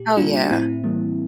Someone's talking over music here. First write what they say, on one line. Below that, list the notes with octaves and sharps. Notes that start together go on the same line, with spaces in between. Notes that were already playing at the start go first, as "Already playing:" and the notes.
Oh yeah.
Already playing: A#2 G4
G3 A#3 D4 F4
D4
A2 C4 E4
E3 G3 A#3